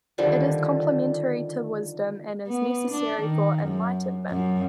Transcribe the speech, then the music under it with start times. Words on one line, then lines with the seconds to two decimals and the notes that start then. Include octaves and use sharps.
It is complementary to wisdom and is necessary for enlightenment.
0.18 D3 D#3 F3 G3
2.47 B3
2.91 D4
3.23 D#3
3.65 F#2
4.30 F#2